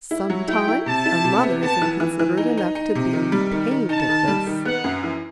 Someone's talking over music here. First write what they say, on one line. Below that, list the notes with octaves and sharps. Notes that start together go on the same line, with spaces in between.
Sometimes a mother is inconsiderate enough to be pained at this.
E4
F#3
E4 G5
E4
C3 A5
E4
C3
B3
B3 A5
E3
E3
E3
D#4
D#4
D#4
C3
D#3
G3
D#3
D#3
D#4 A5
D#3
G3
D#3
B3 F#5
F#2
E3